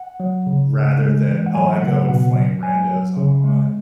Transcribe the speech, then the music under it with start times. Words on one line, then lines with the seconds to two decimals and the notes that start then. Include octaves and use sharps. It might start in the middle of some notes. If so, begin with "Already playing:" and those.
rather than, "Oh, I go and flame randos online."
Already playing: F#5
0.20 F#3
0.47 C#3
0.74 C#3
1.01 G#3
1.27 E3
1.46 F#5
1.54 F#3 G#5
1.82 C#3 F#5
2.09 B2 F#5
2.35 F#3
2.63 F#3 G#5
2.89 F#3
3.17 C#3
3.44 G#3